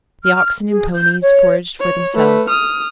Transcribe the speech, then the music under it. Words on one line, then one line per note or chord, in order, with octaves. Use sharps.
The oxen and ponies foraged for themselves.
F6
G#4
G6
C#5
C#5
A3 B4
D#6 F6